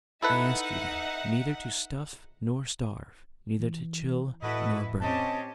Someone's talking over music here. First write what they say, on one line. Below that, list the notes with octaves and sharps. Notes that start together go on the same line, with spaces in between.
I ask you, then, neither to stuff nor starve; neither to chill nor burn.
D#4 E4 A4 B4 E5 F#5
E3
A2 E4 F#4 A4 B4 D#5
C4 C#4 G4 D#5 A5